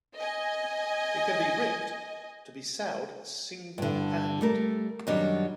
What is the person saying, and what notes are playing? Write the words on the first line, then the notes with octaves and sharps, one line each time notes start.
It can be rigged to be sailed single-handed.
D#5 G#5
G2 D3
G3 A3 A#4
F#2 D#3 F#3 G3 D4